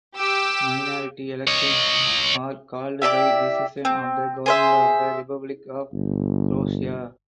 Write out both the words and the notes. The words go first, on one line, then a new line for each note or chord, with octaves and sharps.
Minority elections are called by decision of the Government of the Republic of Croatia.
G4 D6 E6
C#5 D#5
E4 G4 D5 E5
C4
G#4 C5 E5
G1